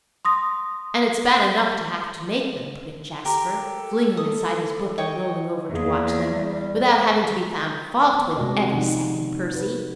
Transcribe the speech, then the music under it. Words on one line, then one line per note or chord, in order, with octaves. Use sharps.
"And it's bad enough to have to make them," put in Jasper, flinging aside his book and rolling over to watch them, "without having to be found fault with every second, Percy."
C6 D#6 A#6
G4 A4 A#4
D#6
C#5 D#5 G5
E2 A#3 G#4
G3
B3 D4
C3 G#3 A3 F#4 D5 D#5
F3 D#4 F#5
F#4 B4